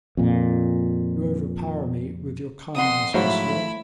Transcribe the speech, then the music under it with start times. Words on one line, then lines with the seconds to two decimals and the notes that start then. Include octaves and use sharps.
"You overpower me with your kindness, monsieur."
0.17 F2 A#2
2.75 F2 F#5 C6 D#6
3.14 G#2 F3 F#3 A3 E4 B5